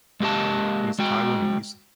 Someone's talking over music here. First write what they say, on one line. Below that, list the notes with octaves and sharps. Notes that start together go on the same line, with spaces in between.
He’s Taiwanese.
G#3 A#3 G4 D#5 A5
G#3 F#4 G5